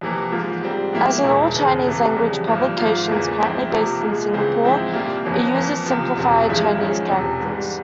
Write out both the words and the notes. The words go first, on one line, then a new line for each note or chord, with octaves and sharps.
As with all Chinese-language publications currently based in Singapore, it uses simplified Chinese characters.
F2 C3 E3 A#3
G#2 F3 A#3 F4
G#2 G3 C4
G#2 F3 A#3 E4
E1 E2 E3 G#3
E1 E2 C#3
C2 C3 E3
F2 C#3 G3
G#1 G2 F3 A#3
G#1 G#2 F3 A#3 F4
E2 C#3 E3 A#3
G#2 F3 C4 E4
F2 C3 F3 A#3
C2 A#2 G#3
C#2 C#3 E3 G#3 C4
G#2 F3 C4 E4
C2 A#2 G3 A#3 F4
G1 F2 E3 A#3 C#4
F2 E3 A#3
C#2 C3 F3
E1 E2 C3
G#1 G2 F3 G#3 E4
G#2 F3 G#3 C#4
E1 E2 C3
G#2 E3 G3